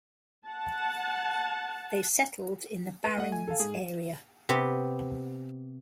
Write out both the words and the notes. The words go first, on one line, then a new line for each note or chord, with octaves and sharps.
They settled in the Barrens area.
F#5 A5
B4 D#7
A3 D#5 F#5
G#5
A4 F5
G#2 G#4
C3 B3 G4